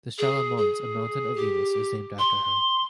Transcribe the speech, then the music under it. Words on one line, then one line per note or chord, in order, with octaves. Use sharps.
The Shala Mons, a mountain on Venus, is named after her.
G#4
G#4
G4
C6